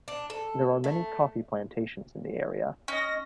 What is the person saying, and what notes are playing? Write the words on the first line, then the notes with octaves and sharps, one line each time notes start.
There are many coffee plantations in the area.
D4
A4
A3
C#4 D#5 A#6